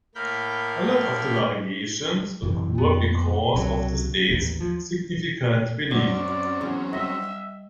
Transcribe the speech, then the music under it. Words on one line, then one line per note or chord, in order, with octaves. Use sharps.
A lot of variations occur because of the state's significant relief.
A2 A#3 A#4 B5 F6 G6
A1 F#2 C3 E3
F2 B3
C2 C3 F#3
A1 D#2
F3
F#2 F#3 C4 C#4 D5
E2 C#3
G3 D#5 E5 A#6